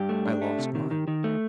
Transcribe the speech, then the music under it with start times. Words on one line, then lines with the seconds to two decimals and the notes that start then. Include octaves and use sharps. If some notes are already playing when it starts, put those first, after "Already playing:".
"I lost mine."
Already playing: G2 G4
0.09 A3
0.25 D4
0.41 A3
0.59 C3
0.75 D#3
0.91 D#3
1.08 D#3
1.24 A3